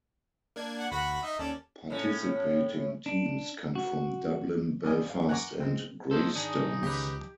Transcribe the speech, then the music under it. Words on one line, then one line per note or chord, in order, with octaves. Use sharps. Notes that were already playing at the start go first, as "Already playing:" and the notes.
Participating teams come from Dublin, Belfast and Greystones.
A#3 D4 G#6
F#5
D2 F#4 F#5 B5
D#4 D#5 E5
D#2 C#4 A4 D5
A2 C#4
D4
F#4
C2 G3 D#5 G#5
F5
F#5 G#5 A#5 C#6 D6
G#3 C4
G#3 A#3 A4 C5
D#3 D4 D#4 G#4
C#2 G4 B4